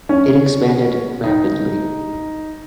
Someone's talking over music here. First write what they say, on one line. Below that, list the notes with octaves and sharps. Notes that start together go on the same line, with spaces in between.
It expanded rapidly.
C#4
D#4